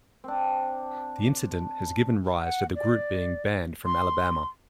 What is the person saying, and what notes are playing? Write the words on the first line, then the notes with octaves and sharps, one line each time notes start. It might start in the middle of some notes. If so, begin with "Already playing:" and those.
The incident has given rise to the group being "banned from Alabama".
C4 D4
F#5
D5
C6